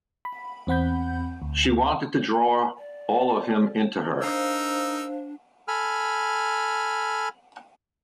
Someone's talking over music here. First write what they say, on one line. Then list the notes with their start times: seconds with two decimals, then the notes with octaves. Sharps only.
She wanted to draw all of him into her.
0.25 B5
0.67 E2 C4 F#5 B5 G6
1.42 D2
2.78 D5
4.22 D4 D#4 A#4 C5 F5 E6
5.68 A4 G#5 B5 F6